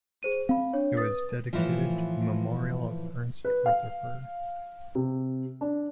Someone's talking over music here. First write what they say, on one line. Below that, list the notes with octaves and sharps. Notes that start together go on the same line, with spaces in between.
It was dedicated to the memorial of Ernest Rutherford.
G#4 C5 D#7
C4 F5 B5
D4 C#5
B4 D#6 A6
A2 E3 F3
B4
F5
C3
D4